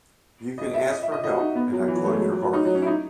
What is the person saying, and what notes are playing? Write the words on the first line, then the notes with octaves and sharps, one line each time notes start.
You can ask for help and not close your heart.
D#5
E5
D#5
E5
D#5
D#5
F#4
D#4
B3
F#3
E3
F#3
A3
G#3
F#3
F#3
F#3
D#4
F#3
C#4
E4
D#4